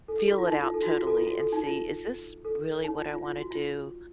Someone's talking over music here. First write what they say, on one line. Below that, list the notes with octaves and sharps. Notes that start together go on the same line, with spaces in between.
f feel it out totally and see, is this really what I wanna do
A4
A4
F#4
F4
D#4
F4
A4
F#4
F4
F#4
A4
F4
F#4
A4
D#4
F4
A4
C#5
D#4
F4
F4
F4
F#4
F4